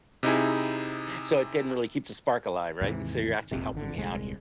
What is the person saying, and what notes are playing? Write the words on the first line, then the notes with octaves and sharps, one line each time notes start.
So, it didn't really keep the spark alive, right? And so, you're actually helping me out here.
C3 D#4 E4 G#4
D#2 G#2 C3 E3
E1 A#1 F2 C3
G#1 D3
D#1 C2 G#3